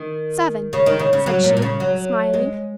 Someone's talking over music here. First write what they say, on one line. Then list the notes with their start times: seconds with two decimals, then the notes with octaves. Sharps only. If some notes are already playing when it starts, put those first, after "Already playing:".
"Seven," said she, smiling.
Already playing: D#3
0.73 C#3
0.86 D#3
0.99 C#3
1.13 C#3
1.26 F#3
1.44 A#2
1.57 A#2
1.62 C#3
1.80 F#3
2.33 G#3